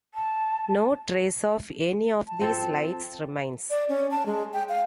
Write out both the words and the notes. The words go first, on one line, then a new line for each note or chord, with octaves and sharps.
No trace of any of these lights remains.
A5
A5
F3 C4 A4
D5
C#4
A5
G#3
G5
F5